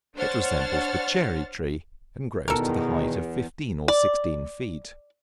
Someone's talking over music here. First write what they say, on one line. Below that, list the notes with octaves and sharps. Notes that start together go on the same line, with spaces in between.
It resembles the cherry tree, and grows to the height of fifteen or sixteen feet.
D4 C5 C#5 F#5 F6 A6
E2 B2 D#3 A4 A#4
D5